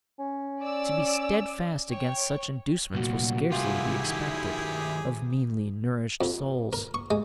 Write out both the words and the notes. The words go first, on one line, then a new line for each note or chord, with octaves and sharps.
To be steadfast against such inducements was scarcely to be expected of meanly nourished souls.
C#4
D5 E6
C#5 G5
C2 A#2 F#4
C2 E4 F4 G4 G#4
D#3 F#3
F2
A#4
C#6
G#3